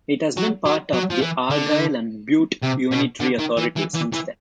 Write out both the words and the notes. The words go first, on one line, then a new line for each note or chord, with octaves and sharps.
It has been part of Argyll and Bute unitary authority since then.
F#3
F#3
F#3
F3
E3
D3
C3
B2
D3
D#3
E3
E3
E3
E3